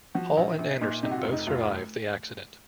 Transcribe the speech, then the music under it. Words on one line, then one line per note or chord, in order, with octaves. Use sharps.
Hall and Anderson both survived the accident.
F3 F#4
A#1
A#1
A#2 D#4
C3 D#4
F#4
F4
F1
D#4
F1 F4